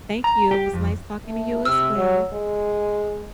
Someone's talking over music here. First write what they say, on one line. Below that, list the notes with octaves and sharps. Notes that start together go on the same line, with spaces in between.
Thank you, it was nice talking to you as well.
A#5
G4
F2
A3
C3 E6 F6
F#3
G#3